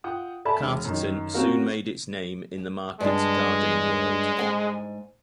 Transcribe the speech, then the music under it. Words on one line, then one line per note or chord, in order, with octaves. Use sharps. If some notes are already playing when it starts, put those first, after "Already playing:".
Carterton soon made its name in the market gardening world.
F4 F#5 G5 D#6
A4 D5 E5 G#5 A5 B5
E1 F6
F#2 D#3
A#3 C4 C#4 F#4 A#4 F5
G2 G#3 D4
G#2 G5 G#5